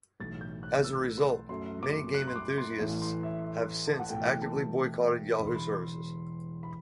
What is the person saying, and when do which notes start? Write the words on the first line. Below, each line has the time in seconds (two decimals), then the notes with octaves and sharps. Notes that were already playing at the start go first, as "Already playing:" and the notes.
As a result, many game enthusiasts have since actively boycotted Yahoo services.
0.20 B1 A2 E3 A6
0.41 G6
0.63 F#6
0.84 E6
1.17 C6
1.49 F#2 F#3 A3 C6
1.83 D6
2.14 F#6
2.27 C6
2.36 D6
2.58 C6
2.79 A1 A2 E3 A3
3.02 C6
3.23 E5
3.45 E5
3.87 A5
4.00 F#5
4.09 E2 B2 F#3 A3 G5
4.42 A5
5.38 E1 E2 D3 B5
5.47 C6
5.56 B5
6.63 B5